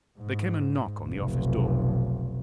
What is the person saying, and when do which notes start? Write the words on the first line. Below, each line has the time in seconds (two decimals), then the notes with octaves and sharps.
There came a knock on the office door.
0.19 G#2
1.09 F1 B1